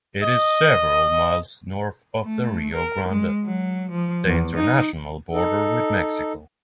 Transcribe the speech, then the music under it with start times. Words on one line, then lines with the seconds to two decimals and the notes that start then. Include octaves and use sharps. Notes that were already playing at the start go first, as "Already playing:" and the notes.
It is several miles north of the Rio Grande, the international border with Mexico.
0.23 D#5
2.25 A3
2.74 A#4
3.09 G#3
3.45 F#3
3.91 F3
4.26 E2
4.57 D#4
5.32 D#4 A4